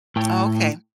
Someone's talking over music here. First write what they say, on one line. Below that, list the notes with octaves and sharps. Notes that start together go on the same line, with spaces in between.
Oh, okay.
A2 G5